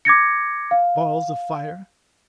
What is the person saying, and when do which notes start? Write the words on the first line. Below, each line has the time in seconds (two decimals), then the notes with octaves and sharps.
Balls of fire?
0.05 D6 G#6 A#6 C#7
0.71 F5